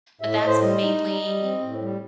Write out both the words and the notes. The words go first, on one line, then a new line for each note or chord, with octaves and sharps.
But that's mainly,
A2 E5
D#5
A2
C5
G3 D#5
D#4
G3
G3
C4
A2
G3